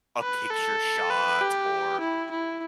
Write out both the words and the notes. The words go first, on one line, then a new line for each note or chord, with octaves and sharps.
a picture shot or,
B4
A4
B4
G4
E4
E4